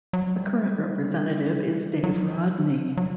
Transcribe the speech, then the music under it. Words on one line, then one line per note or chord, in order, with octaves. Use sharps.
The current representative is Dave Rodney.
F#3
G3
F#3
F3
F#3
F#3